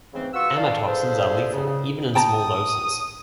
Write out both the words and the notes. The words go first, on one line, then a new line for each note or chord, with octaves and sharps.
Amatoxins are lethal in even small doses.
G#2 C#3 E3 A3 C4
F4 F#4 B4 C#6 E6
D3 D5 F5 A5
D4 F4 G#4 A4 B4 C5
C#3
G5 A5 A#5 D#6